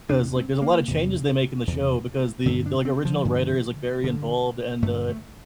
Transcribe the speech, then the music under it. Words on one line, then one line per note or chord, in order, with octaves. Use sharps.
'cause, like, there's a lot of changes they make in the show because the the, like, original writer is, like, very involved and, uh,
E2 C3 D4
C4
A#3
E2 C3
E2 C3
G2 D3 C4
D4
C4
F3
G2 D3
G2 D3
G2 D3 A3
A3